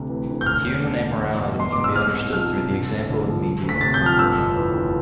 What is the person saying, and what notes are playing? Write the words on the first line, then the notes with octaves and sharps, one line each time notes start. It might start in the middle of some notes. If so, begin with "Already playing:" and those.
Human amorality can be understood through the example of meat eating.
Already playing: D2 C3
E3
D2
G6
E1 F6
E2
D3
E1
E2
B2
E2 C6
B2 D6
E6
C2 F6
C3
F3 F6
C2
E1
D2
D3
F3
E1
D2
B6
C3 A6
G6
F3
F6
G1 E6
F2
E3
G1